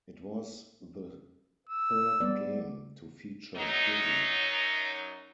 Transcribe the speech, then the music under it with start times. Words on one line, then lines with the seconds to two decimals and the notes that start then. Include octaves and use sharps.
It was the third game to feature Dizzy.
1.70 E6
2.20 G3 B3 D5
3.56 F#2 F#3 D#4